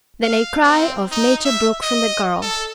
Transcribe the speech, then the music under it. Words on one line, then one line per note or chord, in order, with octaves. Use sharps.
Then a cry of nature broke from the girl.
F5
C4
D#4
E5
D#5
A4